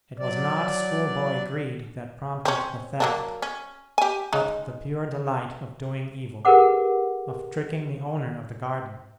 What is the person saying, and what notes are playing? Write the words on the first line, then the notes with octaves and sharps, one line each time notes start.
It was not schoolboy greed that prompted the theft, but the pure delight of doing evil, of tricking the owner of the garden.
F#3 D5
C4 C#4
F#3 A#3 D4
C#4
G4 G#5
G#3 D#4
G4 G#4 A#4 B4 F#5 D6